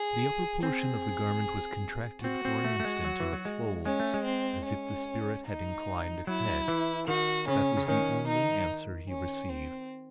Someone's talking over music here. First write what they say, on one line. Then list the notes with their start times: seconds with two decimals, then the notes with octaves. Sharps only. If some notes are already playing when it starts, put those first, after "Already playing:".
The upper portion of the garment was contracted for an instant in its folds, as if the Spirit had inclined its head. That was the only answer he received.
Already playing: G#4
0.63 C4 G#4
2.24 C4 F#4
2.45 C4
2.64 A3
2.80 A3
2.84 G#3
3.05 F#3
3.20 E3
3.33 F#3
3.45 G#3
3.85 G#3 C#4
4.00 A3
4.14 G#3
4.25 C4
4.65 C#4
5.47 D#4
6.27 F#3 E4
6.68 E3
7.07 D#3 F#4
7.48 C#3 C#4
7.77 C#3
7.88 D#3 C#4
8.28 D#4
9.10 C#4
9.49 C4